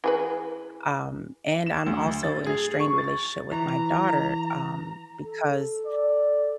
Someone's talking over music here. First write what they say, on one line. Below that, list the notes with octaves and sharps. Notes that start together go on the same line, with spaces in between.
Um, and I'm also in a strained relationship with my daughter, um, because
E3 G#4 B4
E7
D2
A6
G#4
C#6
A6
E3 A#5
A4
D5